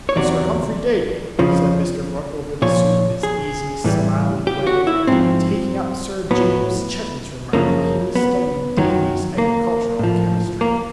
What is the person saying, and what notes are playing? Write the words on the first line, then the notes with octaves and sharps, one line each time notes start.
"Sir Humphry Davy?" said Mr. Brooke, over the soup, in his easy smiling way, taking up Sir James Chettam's remark that he was studying Davy's Agricultural Chemistry.
C#5
E2 C3 D#3 F#3 D5
F2 C#3 F3
A#2 F3 C#5
G#4
A2 E3 G3
G4
F#4
E4
G#2 F3 C4
A2 F#3 B3
F#2 C#3 F3 A#3
B3
F#2 D#3 F#3
A#3
A2 F3
A#3